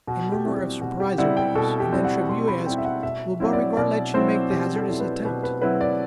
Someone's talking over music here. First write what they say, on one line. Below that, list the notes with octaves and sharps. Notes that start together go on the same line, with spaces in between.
A murmur of surprise arose, and then Trabue asked: "Will Beauregard let you make the hazardous attempt?"
B2 F#4
G4
G3 C4 E4
G4
B2 F#4
G4
G3 C4 E4 F#5
G5
B2 A4
G4
G3 C4 E4
F#5
B2 C6
B5
G3 C4 E4 G5
E5
F#5
B2 E5
F#3 C4 E4
D5
B2 D5
F#3 C4 E4 C5
B2 G4
A4
F#3 C4 E4
B4
B2 B4
B4
F#3 C4 E4 B4
D5